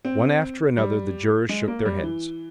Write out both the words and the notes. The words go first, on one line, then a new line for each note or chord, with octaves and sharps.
One after another the jurors shook their heads.
C4
G3
G#3
A#3
G3
E3